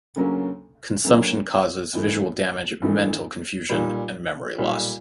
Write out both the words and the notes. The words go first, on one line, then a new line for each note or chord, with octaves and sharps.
Consumption causes visual damage, mental confusion, and memory loss.
D2 C#3 F#3 A#3 C#4
D2 C#3 F#3 A#3 C#4
G#1 G2 E3 A3
G#1 G2 E3 A3
B1 A#2 G3
B1 A#2 G3